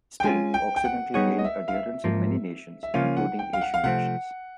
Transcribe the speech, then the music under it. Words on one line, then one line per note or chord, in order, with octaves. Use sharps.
Still, Occidental gained adherents in many nations including Asian nations.
G5
G#3 C#4 F4 G#5
G5
G5
F#5
G3 B3 D#4 G#4 C#5 F#5
D#5
E5
F5
E5
G#2 F3 A#3
E5
C#3 F3 A#3 C#4 F4 F5
F#5
G5
F5
F#5
F5
C3 F3 A3 C4 F#5